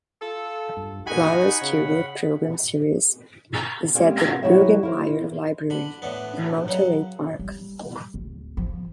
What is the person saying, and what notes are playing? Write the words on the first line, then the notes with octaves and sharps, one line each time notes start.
Laura Scudder Program Series is at the Bruggemeyer Library, in Monterey Park.
F4 A4
G2
D#4 F#4 F#5 G#5 B5
C#3
G3 G#3 A#3 C4 C#4 G4
C3 A#4 F#5
F#3 B3 E4 G4 C#5 E5
E4 A#4 C5
D3 B5
A2 D3 B3
C#3 F#3
G3
D1
F3